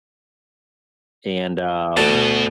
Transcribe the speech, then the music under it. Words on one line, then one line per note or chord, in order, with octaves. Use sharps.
and, um,
D2 B2 A5